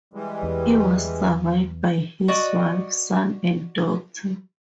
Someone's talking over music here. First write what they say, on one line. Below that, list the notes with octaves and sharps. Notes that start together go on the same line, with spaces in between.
He was survived by his wife, son, and daughter.
E3 G3 G#3
E2
F#4 D5 D#5